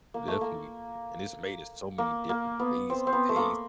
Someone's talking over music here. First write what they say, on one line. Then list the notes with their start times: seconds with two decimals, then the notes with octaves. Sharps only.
definitely, and it's made in so many different ways and taste.
0.14 A#3
0.28 A3
0.41 A#3
1.98 A#3
2.29 A#3
2.59 B3
2.90 C4
3.07 C4
3.13 B3
3.29 A3
3.36 A#3